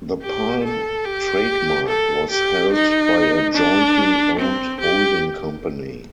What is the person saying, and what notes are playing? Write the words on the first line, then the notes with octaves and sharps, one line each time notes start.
The Palm trademark was held by a jointly owned holding company.
G4
A4
G4
A4
G4
D#4
D4
C4
G4